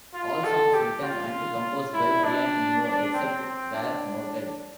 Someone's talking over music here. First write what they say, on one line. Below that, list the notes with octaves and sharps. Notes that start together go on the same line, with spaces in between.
All songs written and composed by Brian Eno, except where noted.
F4
A4
G4
F4
E4
D4
D4
C4
C4
D4